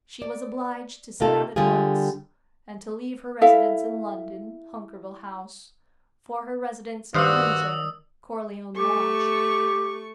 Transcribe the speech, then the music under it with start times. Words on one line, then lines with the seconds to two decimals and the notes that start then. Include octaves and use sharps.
She was obliged to set out at once, and to leave her residence in London, Hunkerville House, for her residence at Windsor, Corleone Lodge.
0.22 D5
1.20 C3 A#3 D#4 F4 A4
1.56 D3 G3 D4 F4 G#4
3.41 E4 A4 E5 F5
7.14 G2 D#3 F#4 C5 D5 F5 D#6 E6
8.77 A3 G4 C#6